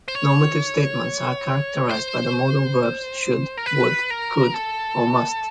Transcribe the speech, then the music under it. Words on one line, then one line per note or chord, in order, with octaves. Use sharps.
Normative statements are characterised by the modal verbs "should", "would", "could" or "must".
C5
C#5
C5
A#4
B4
A#4
A4